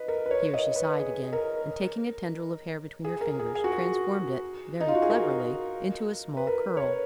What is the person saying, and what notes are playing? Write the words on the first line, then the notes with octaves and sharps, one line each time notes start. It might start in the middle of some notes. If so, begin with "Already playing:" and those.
Here she sighed again, and, taking a tendril of hair between her fingers, transformed it, very cleverly, into a small curl.
Already playing: B4 D#5
A#4
B4
C#5
D#5
B4
G#4
A#4
G#4
A#4
G#4
G#4
F#4
G#4
D#4
F4
F#4
G#4
A#4
B4
A#4
C#5
B4